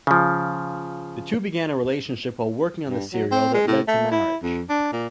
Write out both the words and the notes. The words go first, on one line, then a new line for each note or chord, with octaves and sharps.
The two began a relationship while working on the serial that led to marriage.
C#3 F3
G2
F#3
C4
G#3
A2
A3
E4
F2
D4
A#2